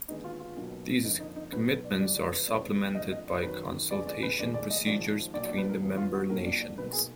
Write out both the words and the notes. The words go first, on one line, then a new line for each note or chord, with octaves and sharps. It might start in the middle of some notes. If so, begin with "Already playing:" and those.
These commitments are supplemented by consultation procedures between the member nations.
D#2 D3 G#3 B3 D#4
F4
F4
B1 B2 F#3 A#3
F2 D3 F3 A#3 D#4
D#4
D#4
B1 B2 F#3 B3 B4
B4
D5
D2 D3 F3 G#3 D5
D5
B4
F2 D3 G#3 B3 D5
F#1 F2 D3 D#5
D#5
D5
F#2 D#3 F#3 B4
F2 D3 G#3 B3 D5
D5
B4
F1 D#2 D#3 G#3 D5
D5
D#5
G#1 G#2 F3 D5
B1 A#2 F#3 D5
D5
B4
A#4
G#1 F#2 F3 B3
F4
F#4
B1 A#2 F#3 A#3 A#4
D5
D5
B1 B2 A#3 B4
G#4